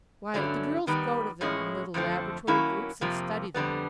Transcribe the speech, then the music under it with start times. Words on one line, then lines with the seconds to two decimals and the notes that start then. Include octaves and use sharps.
"Why, the girls go to them in little laboratory groups and study them."
0.34 G2 D3 F#3 A3 C#4
0.87 D#3 G3 B3
1.41 A2 F3 G#3 C#4 E4
1.94 F2 D3 F3 A3 C4
2.47 D#3 F#3 A#3 C#4 E4
3.01 F2 C3 F3 A#3
3.54 F2 D3 G3 B3